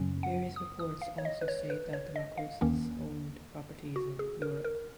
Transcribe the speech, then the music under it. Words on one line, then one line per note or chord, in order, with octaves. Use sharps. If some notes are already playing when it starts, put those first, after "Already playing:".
Various reports also state that the Marcoses owned properties in Europe.
Already playing: F#2 C#3 F#3 C#4
F#5
D#6
D#6
F5
C#5
D#5
B4
C#5
B4
C#5
D#5
F5
D#2 D#3 A#3 C#4
F#4
G#4
A#4
A#4